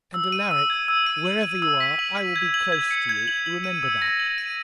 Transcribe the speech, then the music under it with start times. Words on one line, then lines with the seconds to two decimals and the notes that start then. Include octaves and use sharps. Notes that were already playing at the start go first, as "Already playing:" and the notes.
And, Alaric, wherever you are I will be close to you, remember that.
0.14 E6
0.32 D#7
0.51 E6
0.70 G#6
0.88 E6
1.06 D#7
1.25 F#7
1.43 D#7
1.62 E6
1.80 B6
1.99 F#7
2.17 D#7
2.36 G#6
2.54 F#7
2.72 G#6
2.91 C#7
3.09 G#6
3.28 F#7
3.46 F#7
3.64 D#7
3.83 E6
4.02 A#6
4.20 F#7
4.38 D#7